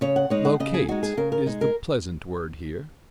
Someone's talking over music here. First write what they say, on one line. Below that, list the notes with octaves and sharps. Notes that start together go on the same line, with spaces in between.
"Locate" is the pleasant word here.
C#3 C#5
F#5
G#3 D#4 C#5
F#5
C#3 D#5
G#4
G#3 D#4 F#4
G#4
C#3 A#4
A#4
G#3 D#4
A#4